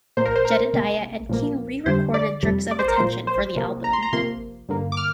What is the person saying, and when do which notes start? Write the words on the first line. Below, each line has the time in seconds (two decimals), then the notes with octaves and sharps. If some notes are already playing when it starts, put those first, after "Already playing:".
Jedediah and King re-recorded "Jerks of Attention" for the album.
0.17 A#2 F3 A#3 C5
0.25 A#4
0.36 C5
0.45 A#4
0.73 C3 A#3
1.29 A#2 F3 A#3
1.86 F2 D3 G3 C5
2.14 D5
2.43 F2 C3 G3
2.71 D5
2.79 C5
2.88 A#4
2.96 A#2 F3 A#3 C5
3.27 C5
3.56 C3 F3 A#3
3.84 A#5
3.93 C6
4.03 A#5
4.13 C3 F3 A#3 C6
4.69 G2 D3 A#3
4.92 D6
4.97 F6